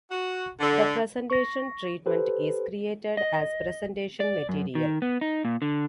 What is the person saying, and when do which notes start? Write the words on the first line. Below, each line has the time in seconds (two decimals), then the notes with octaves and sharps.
The presentation treatment is created as presentation material.
0.11 F#4
0.60 D3
1.30 C#6 A#6
2.06 G4 A4 B4 C5
3.17 D#5
4.20 D5
4.49 F#2
4.75 D#3
5.02 B3
5.21 D#4
5.45 A#2
5.62 D3